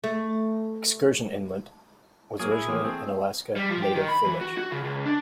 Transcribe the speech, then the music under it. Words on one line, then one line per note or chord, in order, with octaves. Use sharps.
Excursion Inlet was originally an Alaska Native village.
A3
F#3 A#3 G#4
E4
E3 F3 A#3
A3 C4
G3
F3
G4
D#3
B5
E3
F#4
F#4
C#3
C#2
D4